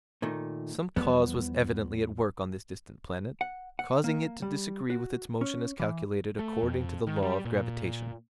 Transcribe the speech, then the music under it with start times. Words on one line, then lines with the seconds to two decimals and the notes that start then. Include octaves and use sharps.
Some cause was evidently at work on this distant planet, causing it to disagree with its motion as calculated according to the law of gravitation.
0.22 A#2 D#3 A3
0.96 E2 F3 G3 B3
3.41 F#5
3.79 F#5
4.04 A#3
4.42 G3
4.90 F#4
5.41 C#4
5.79 E3
6.39 A3
6.63 F2
7.07 D#3
7.23 G3
7.45 A#2